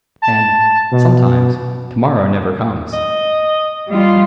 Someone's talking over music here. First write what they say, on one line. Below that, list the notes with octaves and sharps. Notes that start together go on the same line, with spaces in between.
And--sometimes--to-morrow never comes.
A5
B2
D#5
G3 F4 D#5